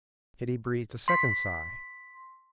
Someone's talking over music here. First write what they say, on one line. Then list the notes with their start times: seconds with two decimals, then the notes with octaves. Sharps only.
Kitty breathed a second sigh.
1.08 C6 B6